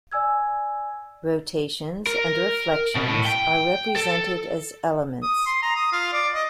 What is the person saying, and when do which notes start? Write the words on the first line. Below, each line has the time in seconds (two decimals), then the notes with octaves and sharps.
Rotations and reflections are represented as elements.
0.12 D5 G#5 E6 G#6
2.07 A#4
2.96 B2
3.08 A2
3.26 G5
3.96 A4
5.23 D#6
5.46 C6
5.62 A#5
5.76 D#6
5.93 F4
6.13 D5
6.34 D#5